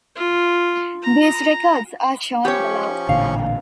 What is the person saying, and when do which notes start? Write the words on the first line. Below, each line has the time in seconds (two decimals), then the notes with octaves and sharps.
These records are shown below.
0.16 F4
1.02 A#5
2.45 F3 C#4 G4 C#5 C#6
3.09 A1 A#2 D3 F5